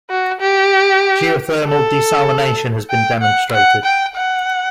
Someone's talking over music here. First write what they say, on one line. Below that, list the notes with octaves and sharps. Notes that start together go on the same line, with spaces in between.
Geothermal desalination has been demonstrated.
F#4
G4
A4
G5
F#5
F#5
G5
F#5